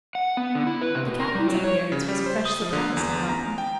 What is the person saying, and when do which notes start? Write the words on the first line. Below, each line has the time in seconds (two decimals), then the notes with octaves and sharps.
The Captain's appearance was a fresh surprise to Alan.
0.15 F#5
0.37 B3
0.55 D3
0.67 E4
0.82 B4
0.95 C3
1.06 B2
1.20 A#4
1.35 G3
1.48 F#3
1.64 C#5
1.92 C#3
2.08 G3
2.26 C5
2.45 D#6
2.61 F3
2.73 D3
2.97 E2
3.29 A#5
3.58 G5